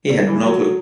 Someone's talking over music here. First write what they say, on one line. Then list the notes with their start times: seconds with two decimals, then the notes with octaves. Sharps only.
He had no clue.
0.09 D3
0.27 E3
0.45 F#3